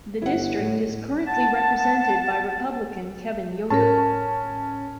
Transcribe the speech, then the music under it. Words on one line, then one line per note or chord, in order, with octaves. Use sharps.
The district is currently represented by Republican Kevin Yoder.
G1 E4 F#5
A2
F#5 A5
A2 C#4 A#4 A5